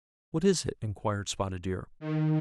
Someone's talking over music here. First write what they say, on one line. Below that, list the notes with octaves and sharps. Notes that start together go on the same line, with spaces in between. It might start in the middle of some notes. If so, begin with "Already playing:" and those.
"What is it?" inquired Spotted Deer.
D#3